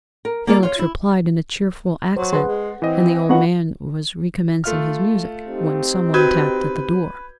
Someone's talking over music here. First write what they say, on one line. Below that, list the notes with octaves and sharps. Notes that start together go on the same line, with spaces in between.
Felix replied in a cheerful accent, and the old man was recommencing his music when someone tapped at the door.
A#4
A#3 F4 G#4 A#4 D5
F4 C#5
E4
F#3 C5 C#6
G#4 B4 F#5 C6
G#3
E3 C4 D#5
D#3 B3 F4 F#5 C#6
A3 F4 F6
C4 D#4 G4
F#4 B4 G6 G#6